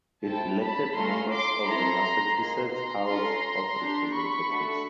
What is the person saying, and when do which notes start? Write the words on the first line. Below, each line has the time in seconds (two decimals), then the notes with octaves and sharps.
It elected members of the Massachusetts House of Representatives.
0.23 C4 E4 A4 G5 A5
0.59 A5 B5
0.94 A3 C#4 F4 A4 A#5 C6
1.29 C6 D6
1.65 C4 E4 A4 A#5 C6
2.36 A#3 D#4 G#4 A#5 C6
2.71 A#5 C6
3.06 C#4 F4 A4 A#5 C6
3.77 D4 G4
4.12 B5 C#6
4.48 A3 D4 F#4 A4